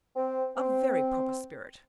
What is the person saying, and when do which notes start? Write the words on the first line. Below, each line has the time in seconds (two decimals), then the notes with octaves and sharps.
A very proper spirit!'
0.16 C4
0.56 C4